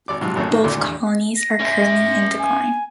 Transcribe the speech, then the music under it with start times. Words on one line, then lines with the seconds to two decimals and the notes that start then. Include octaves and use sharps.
Both colonies are currently in decline.
0.08 G#1 D5 D6
0.21 G#2 C3 F3 F#3
0.36 G#1 F#2 A2 C#5
0.49 A2 D#3 A#3
0.64 G#1 D2 A#2 E4 A4 C6
0.80 E2 G2
1.36 A#6
1.59 C#4 E5
2.39 G#5